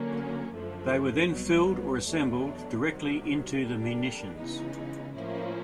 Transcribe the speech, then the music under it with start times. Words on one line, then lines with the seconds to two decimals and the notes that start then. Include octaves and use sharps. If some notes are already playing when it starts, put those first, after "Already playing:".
They were then filled or assembled directly into the munitions.
Already playing: D3 F#3 A#3 C#4
0.52 F#2 D3 F3 A3
1.29 C2 B2 F#3 B3
2.06 E2 B2 F#3 A3 D4
2.82 C2 C3 D#3 F#3
3.60 F2 D3 G3 A#3 D4
4.36 C#3 E3 G#3 B3 D#4
5.13 A2 F3 A#3 C#4 E4